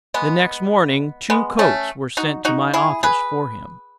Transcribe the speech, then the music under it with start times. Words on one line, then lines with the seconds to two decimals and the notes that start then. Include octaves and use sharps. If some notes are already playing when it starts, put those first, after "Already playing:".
The next morning two coats were sent to my office for him.
0.14 G#3 B3
1.30 G#3 B3
1.59 A3 C#4
2.17 D#4 F#4
2.45 D#4 F#4
2.74 E4 G#4
3.03 G#4 B4